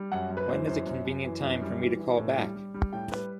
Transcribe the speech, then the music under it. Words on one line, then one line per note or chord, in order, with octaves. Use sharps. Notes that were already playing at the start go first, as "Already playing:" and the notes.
When is a convenient time for me to call back?
Already playing: G3
F#2 F#5
F#2
B4
E3 C5
F#2 C5
F#2
F#2
E3
F#2
G3
E3
E3
A2
G3
G3
G3
A2 G5
G3 B4